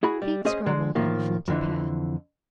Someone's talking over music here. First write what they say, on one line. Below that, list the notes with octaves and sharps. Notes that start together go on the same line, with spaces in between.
Feet scrabbled on the flinty path.
E4 F#4 G#4 B5
G3
C#4 G#4 C5 D#5
D3 G#3
A2 D#3 F3 A#3
F2 D3 E3